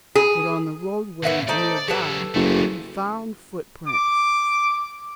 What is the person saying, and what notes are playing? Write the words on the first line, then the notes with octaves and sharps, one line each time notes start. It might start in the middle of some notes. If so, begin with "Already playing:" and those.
But on the roadway near by he found footprints.
G#4
E2 A2 B4 E5 F#5
A3 D#4 C5 D5
F#3 E4 G4 A4 B4
F#1 F#3 A3
D6